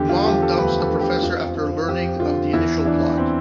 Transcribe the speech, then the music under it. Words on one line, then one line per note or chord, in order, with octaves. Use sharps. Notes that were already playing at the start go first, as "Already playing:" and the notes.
Mom dumps the Professor after learning of the initial plot.
Already playing: E2 D3 G4
F4
F3 G4
A4
D2 B4
A4
D2
G4
F2 F4
F2 F4
F2 G4
D3 F4
E2 E4
E3 D4
C4